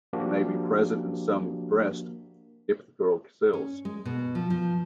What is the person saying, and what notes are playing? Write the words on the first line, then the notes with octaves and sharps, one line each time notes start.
It may be present in some breast epithelial cells.
F3 A#3 D4 F#4 G4
C#4
G#3
B2
F3
F3